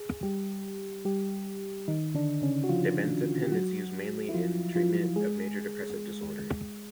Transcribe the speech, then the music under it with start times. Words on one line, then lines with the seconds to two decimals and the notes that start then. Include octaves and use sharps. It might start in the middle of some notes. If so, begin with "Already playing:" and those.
Dibenzepin is used mainly in the treatment of major depressive disorder.
Already playing: G#4
0.23 G3 G4
1.05 G3 G4
1.88 D#3 D#4
2.14 D3 D4
2.42 C#3 C#4
2.64 F#4
2.69 F3 F4
3.43 G4
3.52 F#3 F#4
4.29 E4
4.34 F3 F4
4.75 F3 F4
5.16 G#3 G#4